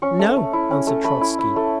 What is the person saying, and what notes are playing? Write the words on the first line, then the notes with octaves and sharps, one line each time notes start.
"No," answered Trotzky.
C#4 C#6
A3
A3
E4
C#4
A3
A3 B5
E4
E4
A3